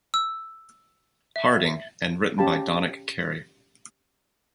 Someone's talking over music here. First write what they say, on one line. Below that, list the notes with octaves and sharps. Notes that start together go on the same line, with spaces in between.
Harding and written by Donick Cary.
E6
E5
C#4 G4 F5 A5 B5